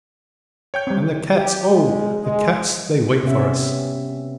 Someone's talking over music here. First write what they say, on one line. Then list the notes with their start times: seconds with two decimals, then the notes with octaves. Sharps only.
And the cats--oh, the cats they wait for us!
0.74 C#5 G5 G6
0.87 G3 C4
1.36 G4
1.70 G#3
2.22 G#3
3.23 C3 B3 C#4 E5